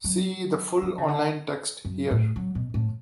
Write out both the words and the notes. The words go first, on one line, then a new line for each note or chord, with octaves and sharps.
See the full online text here.
F#3
F3
C#3
D3
F#2
A2
F#3
B2
A2